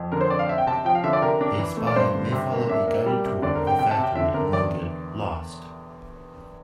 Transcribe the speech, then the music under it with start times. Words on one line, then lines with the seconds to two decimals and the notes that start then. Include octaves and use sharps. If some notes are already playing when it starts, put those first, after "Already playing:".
A spy may follow a guided tour of a factory and then get "lost".
Already playing: F2
0.12 D3 A#4
0.21 C5
0.30 C4 D5
0.39 F5
0.48 C4 E5
0.58 G5
0.67 C3 A5
0.85 F3 G5
0.95 F5
1.04 D3 E5
1.13 D5
1.22 C3 A#4
1.41 D4
1.58 E3
1.77 A3
1.87 D5
1.96 G2 C5
2.15 D3
2.32 C3
2.51 A#3
2.69 D4 E5
2.87 A#3
3.06 G3
3.25 C3
3.42 D3 D5
3.55 A#4
3.61 C4
3.67 G5
3.79 C3 G5
3.91 A5
3.98 C3
4.04 G5
4.15 D3 E5
4.34 D3 A#4
4.52 E2 D5